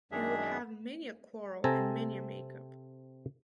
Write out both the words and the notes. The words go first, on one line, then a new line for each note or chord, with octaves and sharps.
You will have many a quarrel and many a makeup.
F#2 D#3 G#3 D4 G#4 E5
C3 C4 A4 G#5 A#5